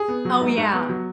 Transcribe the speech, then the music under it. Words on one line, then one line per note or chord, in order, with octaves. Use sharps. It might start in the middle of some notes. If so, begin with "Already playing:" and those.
Oh, yeah,
Already playing: G#4
B3
F#3
G#2
G#2
B3
F#3